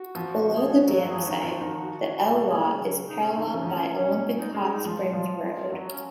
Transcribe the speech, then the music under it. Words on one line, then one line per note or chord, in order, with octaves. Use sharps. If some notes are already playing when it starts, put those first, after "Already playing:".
Below the dam site, the Elwha is paralleled by Olympic Hot Springs Road.
Already playing: F#4
F3
F#4
G#4
F#4
F#3
F#3 F#4
G#4
F3 F#4
D#3
F3
D#3
F#4
C#3 G#4
A#3
G#3
F#3
D#4
C#4
D#3 C4
C#4
F3
F3
F#3 C#4
C#4
C#4
D#4
G#3 C#4
D#4
F3 F4
F3 F4
F#3
F#4
C#4